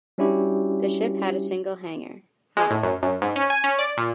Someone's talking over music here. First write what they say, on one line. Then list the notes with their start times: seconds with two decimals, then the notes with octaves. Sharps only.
The ship had a single hangar, high.
0.18 G3 C#4 D4 E4 F#4 G4
2.57 G#3
2.70 A2
2.83 F#2
3.02 F#2
3.22 G#2
3.36 C#4
3.50 G#5
3.64 C#4
3.79 D5
3.97 A#2